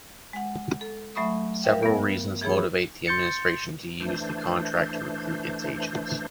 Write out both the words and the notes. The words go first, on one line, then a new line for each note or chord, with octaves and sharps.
Several reasons motivates the administration to use the contract to recruit its agents.
G#3 F#5
A4
F#3 A3 E5 B5 C#6 D#6
A#4 B4 E5 F5 G5
G2 B3
E3 F3 G#4 C#5 B5
C6 G6 A6 C#7
E3 A3 D4 C5